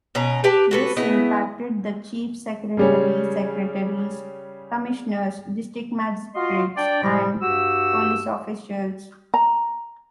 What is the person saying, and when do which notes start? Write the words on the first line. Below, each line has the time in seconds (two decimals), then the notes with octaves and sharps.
This impacted the Chief Secretary, Secretaries, Commissioners, District Magistrates, and police officials.
0.15 B2 C#4 A#5
0.44 G4 B4 G5 A5
0.71 F#4 A4 B4
0.97 C#3 B3 E4 D#5
2.77 C#3 G3 C#4
6.35 F4 F#4 D#5 F5 C6
6.76 D4 D5 G5
7.03 A2 C3 F3 G3
7.42 G2 F#4 G4 E6
9.34 A#5